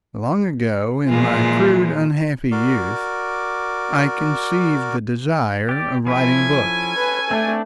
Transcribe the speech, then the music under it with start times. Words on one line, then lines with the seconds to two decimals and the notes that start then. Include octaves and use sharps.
Long ago in my crude unhappy youth, I conceived the desire of writing a book.
1.08 A#2 E3 F3 G#3 F4
2.52 F#4 A#4 D5 D6
5.69 G4 D5
6.07 F3 C#4 E4 A4 G#5
6.97 B4
7.31 A3 C4 D4 D5